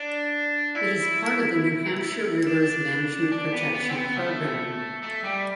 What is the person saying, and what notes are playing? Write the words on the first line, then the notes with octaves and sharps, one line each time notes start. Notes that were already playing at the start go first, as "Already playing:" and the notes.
It is part of the New Hampshire Rivers Management Protection Program.
Already playing: D4
E4
D4
D4
B3
B3
C4
B3
A3
A3
G3